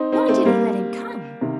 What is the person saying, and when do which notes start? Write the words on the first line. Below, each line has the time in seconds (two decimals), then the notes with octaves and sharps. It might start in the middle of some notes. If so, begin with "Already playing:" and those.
Why did he let him come?
Already playing: C4 D#4
0.12 C4 D#4
0.29 A3 C4
0.45 G3 A#3
1.41 C3 D#3